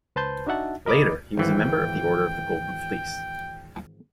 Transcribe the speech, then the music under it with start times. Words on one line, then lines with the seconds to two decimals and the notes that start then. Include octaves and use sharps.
Later, he was a member of the Order of the Golden Fleece.
0.16 C#2 B4 C5 A5 C6 G6
0.47 D4 D#4 F#4 E5 F#5 A5
0.86 A#4 D#5 B5 D6 D#6
1.37 G#1 E3 G5